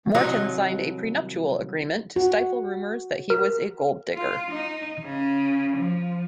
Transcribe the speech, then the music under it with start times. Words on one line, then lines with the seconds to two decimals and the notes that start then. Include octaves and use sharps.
Morton signed a prenuptial agreement to stifle rumors that he was a gold digger.
0.15 C2 D#3 F#3 D#4 F4
2.16 F#4
3.30 A#4
4.14 F4
4.51 D#4
5.04 C#3
5.77 F3